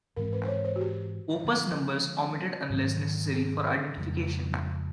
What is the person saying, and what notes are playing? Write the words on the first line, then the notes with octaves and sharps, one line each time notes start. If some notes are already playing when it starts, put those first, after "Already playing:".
Opus numbers omitted unless necessary for identification.
G#2 E3 G#3 C4 A#4
B4
C5
C#5
C5
F#4
G4
D3 F3 G#3
G#2 D#3 F#3 A#3
G#4
F2 C#3 F3 G#3